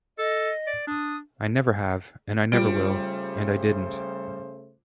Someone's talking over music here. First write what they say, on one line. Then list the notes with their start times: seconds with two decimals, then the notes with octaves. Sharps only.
I never have, and I never will, and I didn't.
0.18 A4 D#5
0.67 D5
0.87 D4 D#6
2.52 C#3 G3 A3 F4 C5 D7